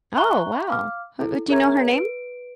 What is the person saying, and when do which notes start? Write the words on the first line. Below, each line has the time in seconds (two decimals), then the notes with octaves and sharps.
Oh, wow. Her do you know her name?
0.17 E5 A#5 C#6 F#6 G7
0.68 F5 D6 F6
1.20 E4 A4
1.49 G#4 A#4 C#5 E5 A#5 G#6
1.91 B4 D7